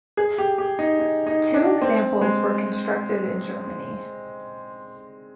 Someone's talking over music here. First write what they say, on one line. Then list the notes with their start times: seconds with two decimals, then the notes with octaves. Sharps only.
Two examples were constructed in Germany.
0.17 G#4
0.38 G4
0.58 G4
0.79 D#4
1.00 D#4
1.27 D#4
1.54 D4
1.82 C4
2.21 G#3